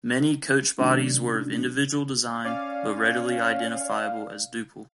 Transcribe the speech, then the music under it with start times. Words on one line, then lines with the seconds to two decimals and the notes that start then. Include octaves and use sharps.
Many coach bodies were of individual design, but readily identifiable as Duple.
0.78 C3 D#3 F#3 A3 C#4 D4
2.45 C#4 D5 F5